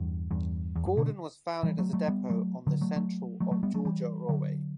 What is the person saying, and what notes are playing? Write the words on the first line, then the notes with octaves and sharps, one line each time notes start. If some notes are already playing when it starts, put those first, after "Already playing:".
Gordon was founded as a depot on the Central of Georgia Railway.
Already playing: E2 G2
E2 G2
E2
F#2
B2 D3
E3 G3
F#3 A3
F#3 A3
G3 B3
F#3 A3
D3 F#3
F#3 A3
F#3 A3
F#3 A3
F#3 A3
G3 B3
F#3 A3
E3 G3
D3 F#3